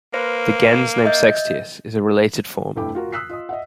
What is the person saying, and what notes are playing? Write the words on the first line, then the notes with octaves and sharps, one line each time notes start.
The "gens" name Sextius is a related form.
A#3 B4 C5 A#6
D#5 E5 G6
F1 G2 A3 E4 G5 D6
F4 F#4 A#4
D#6 E6 F#6 B6 C7
F4 D#5 D#6
D#5 E5 F#5